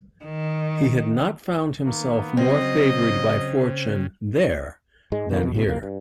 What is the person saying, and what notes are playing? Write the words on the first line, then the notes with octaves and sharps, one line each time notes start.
He had not found himself more favoured by fortune there than here.
D#3
D#3 A#3 B3
C#3 F#3 C4 D#5
G#2 G#3
B2 D#3 E3 A#3
F2 B2
D2 G#2 B2
F2 C3 A#3
G2